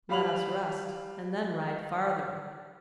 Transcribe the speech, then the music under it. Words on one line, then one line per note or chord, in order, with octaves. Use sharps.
Let us rest, and then ride farther.
G3 F5 B5 F7 F#7